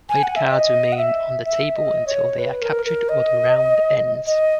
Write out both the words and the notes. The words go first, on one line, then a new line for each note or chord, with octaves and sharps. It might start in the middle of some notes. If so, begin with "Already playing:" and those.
Played cards remain on the table until they are captured or the round ends.
G#5
F#5
E5
D#5
F#5
E5
E5
D#5
C#5
B4
A#4
A#4
D#5
D#5